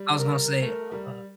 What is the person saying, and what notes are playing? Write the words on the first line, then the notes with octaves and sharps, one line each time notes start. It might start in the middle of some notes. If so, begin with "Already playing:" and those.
I was gonna say, uh
Already playing: G3
A#4
A3 A#4
G3